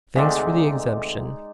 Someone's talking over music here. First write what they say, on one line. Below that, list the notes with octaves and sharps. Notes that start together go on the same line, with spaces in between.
Thanks for the exemption.
D2 C3 G#3 D#4 D5